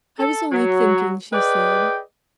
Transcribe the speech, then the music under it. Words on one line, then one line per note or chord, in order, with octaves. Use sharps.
"I was only thinking," she said.
A4
F#3
G#4 B4 D5 D#5 G5